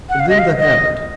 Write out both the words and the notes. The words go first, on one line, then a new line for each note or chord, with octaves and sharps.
And then the habit!
F#5
F5
D#5
F5
D#5